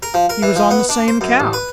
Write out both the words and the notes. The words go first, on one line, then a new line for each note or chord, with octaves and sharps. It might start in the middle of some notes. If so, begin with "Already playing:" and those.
He was on the same couch.
A#4
F3
A#4
E3
F3
B3
D4
C5
F#2
A1
B4